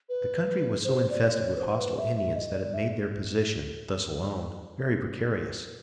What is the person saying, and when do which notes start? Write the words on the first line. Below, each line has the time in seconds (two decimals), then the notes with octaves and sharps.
The country was so infested with hostile Indians that it made their position, thus alone, very precarious.
0.09 B4
0.84 C5
1.10 D5
1.34 C#5
1.55 B4
1.60 C5
1.79 B4
1.98 E5
2.16 E5
2.36 D#5
2.54 D5
2.73 E5